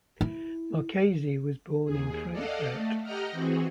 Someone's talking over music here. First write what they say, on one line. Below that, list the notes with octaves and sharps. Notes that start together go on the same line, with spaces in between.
Marchesi was born in Frankfurt.
E4
D#2 G#4
A4 D5 D#5 F5 F#5
A3
G4 D#5 F#5 G5 A#5 F6
E3 C4 F#4 G#4